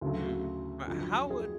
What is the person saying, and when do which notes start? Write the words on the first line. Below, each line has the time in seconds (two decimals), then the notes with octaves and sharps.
Hmm, but h how would
0.01 D2 C#3 F#3 A3
0.87 F2 D3 F#3
1.30 G#4